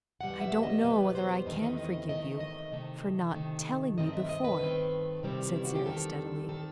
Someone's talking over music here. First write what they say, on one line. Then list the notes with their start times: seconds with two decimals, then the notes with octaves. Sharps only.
"I don't know whether I can forgive you for not telling me before," said Sara steadily.
0.21 E2 B2 G3 B3 F#5
0.41 E5
0.63 D#5
0.84 E2 B2 G3 B3 B4
1.15 C5
1.46 E2 D#3 A3 C4 D#5
1.62 D#5
1.77 D#5
1.93 D#5
2.09 E2 D#3 A3 C4 D#5
2.40 D#5
2.72 C3 D#3 A3
3.34 C3 D#3 A3
3.97 G2 D#3 A3 C4 D#5
4.13 E5
4.29 D#5
4.44 B4
4.60 G2 D#3 A3 C4
5.23 E2 C3 D#3 G3 C4
5.55 E4
5.65 F#4
5.75 G4
5.85 E2 C3 D#3 G3 C4 A4
6.49 D#3 G3 C4 A4